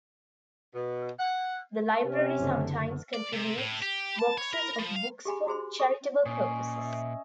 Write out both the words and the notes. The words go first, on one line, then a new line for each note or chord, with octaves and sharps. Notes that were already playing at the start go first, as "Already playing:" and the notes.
The library sometimes contributes boxes of books for charitable purposes.
B2
F#5
C3 C#4
F#1 D3
D5
C3
A2
G4
A5
C#5
A#4
F3
F5
G4 G#4 G#5 B5
F#4 G#4 C5 C6
A4 C#6
A#2 C#4 D#5
D#5 E5